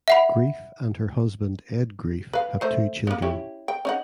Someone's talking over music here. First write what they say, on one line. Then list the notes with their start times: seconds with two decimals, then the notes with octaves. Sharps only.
Greef and her husband Ed Greef have two children.
0.08 E5 F#5 B5
2.33 B4 F5
2.61 A3 C5 E5
3.07 A#3 B3
3.22 C#4 E4 G4
3.68 G5
3.85 C#4 D#4 F#5